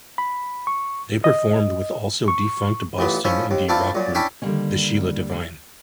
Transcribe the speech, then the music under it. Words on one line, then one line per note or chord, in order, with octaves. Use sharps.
They performed with also defunct Boston indie rock group The Sheila Divine.
B5
C#6
D#5
C#6
A1 A#2 B3
D#3 F3 C#4 E4
D#2
A3 C4 D4 E4 F4
F#2 A#2
C#4 D4 E4 G5 B5 C6
D3 D#3 F3 G3 A#3 C#4